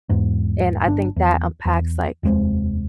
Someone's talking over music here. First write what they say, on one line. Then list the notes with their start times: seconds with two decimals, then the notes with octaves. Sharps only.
And I think that unpacks, like,
0.09 E2 G#2
0.86 G1 D4
1.16 E2
1.65 E2
2.23 F1 D#2 G#3 C4